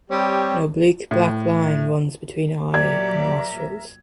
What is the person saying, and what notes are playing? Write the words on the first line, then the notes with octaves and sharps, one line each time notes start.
An oblique black line runs between eye and nostrils.
G3 C4 G4 C#5
A2
A#2 F#3 G4 A#4 D5 E5 A#5 G#6